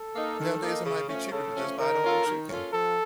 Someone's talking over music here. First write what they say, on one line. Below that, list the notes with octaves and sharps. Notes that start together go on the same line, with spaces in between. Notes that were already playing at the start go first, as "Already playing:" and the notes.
nowadays it might be cheaper to just buy the whole chicken.
Already playing: A4
A#3 D#4
D#3
A#3 D#4
C#3
F3 A3 C#4
C#3 A4
F3 A3 C#4
D#3 A#4
A#3 C#4 F4 A4
D#3
A#3 C#4 F4 A4
F3 A4